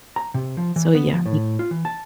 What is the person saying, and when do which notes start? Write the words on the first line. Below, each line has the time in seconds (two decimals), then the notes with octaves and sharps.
So, yeah, we
0.16 A#5
0.34 C3
0.57 F3
0.76 E3
0.95 B3
1.13 F3
1.26 A2
1.59 F4
1.71 E3
1.85 A5